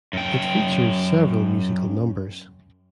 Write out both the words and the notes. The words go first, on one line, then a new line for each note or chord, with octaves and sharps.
It features several musical numbers.
F#2 G5